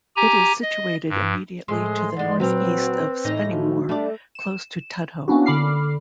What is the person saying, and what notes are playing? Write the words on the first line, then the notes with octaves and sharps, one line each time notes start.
It is situated immediately to the north-east of Spennymoor, close to Tudhoe.
G4 G#5 A#5
D#5
G2
A2 F3 G#3 C6
G#2 G#3 D5 F#5
A#2 F#3 C4 B4 F5
A2 E3 D#4 A#6
F3 F#4
G3 A3 D4 D5
E7
A#3 B3 C#4 D4 E4 F#4
D3 B5 D6 F6 C7